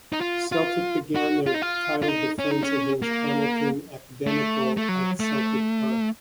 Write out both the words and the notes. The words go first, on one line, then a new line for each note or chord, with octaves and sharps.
Celtic began their title defence against Hamilton Academical at Celtic Park.
D#4
F4
F4
F#4
F4
D#4
F4
F4
D#4
C#4
D#4
C#4
A#3
A3
A3
F#3
A3